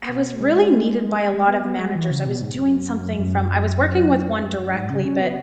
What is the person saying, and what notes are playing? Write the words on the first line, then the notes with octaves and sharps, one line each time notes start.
I was really needed by a lot of managers. I was doing something from I was working with one directly, but,
B2
G#3
G#3
B3
B3
G#3
E3
C#3
B2
G#2
F#2
F#2
F#2
F#2
G#2
C#3
C#4
B3